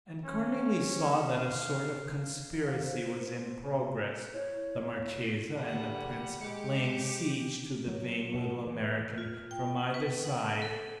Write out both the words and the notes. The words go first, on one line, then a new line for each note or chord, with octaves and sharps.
And Cornelie saw that a sort of conspiracy was in progress, the marchesa and the prince laying siege to the vain little American from either side.
C#4
F5
F5
C5
E4 C#5
E2 D3 G3 F#5
G#3 G4 D6 C#7
F#3
B2
E3
F4
G5
B4
F#5
A4